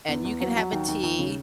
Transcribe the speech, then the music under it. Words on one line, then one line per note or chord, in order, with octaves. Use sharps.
and you can have a tea,
E2
E2
F#3
F#3
D#2
D#2
D#2
C#3